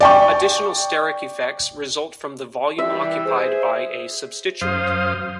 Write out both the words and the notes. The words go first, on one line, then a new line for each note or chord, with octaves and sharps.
Additional steric effects result from the volume occupied by a substituent.
D5 G5 C#6
E3 G3 E5
G#4 C5
F#2 C5 F5 D#6